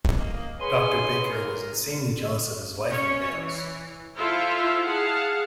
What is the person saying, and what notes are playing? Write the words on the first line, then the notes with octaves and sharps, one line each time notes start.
Doctor Baker was insanely jealous of his wife and Bales.
A#3 D#5
G#4 B4 C#5 G#5 C6
A#4
C#4 C#5
E3
E4 F4 A4 C5 E5 F5
G#4 F5 F#5 A5